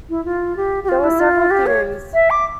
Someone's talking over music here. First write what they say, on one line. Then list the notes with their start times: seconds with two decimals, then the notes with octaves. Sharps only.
There were several theories.
0.10 E4
0.25 F4
0.57 G4
0.84 G4
0.89 F4
1.04 E4
1.20 F4
1.51 G4
1.66 C#5
2.14 E5
2.30 D6